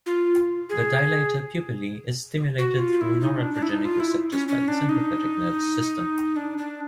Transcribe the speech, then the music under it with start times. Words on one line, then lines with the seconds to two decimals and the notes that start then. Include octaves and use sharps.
The dilator pupillae is stimulated through noradrenergic receptors by the sympathetic nervous system.
0.06 F4
0.69 G#4
2.58 F#4
2.79 F4
3.01 E4
3.21 D#4
3.37 D4
3.54 D4
3.62 E4
3.69 D#4
3.85 F4
4.00 E4
4.32 C#4
4.48 C#4
4.68 D4
4.89 D#4
6.36 D4
6.58 D4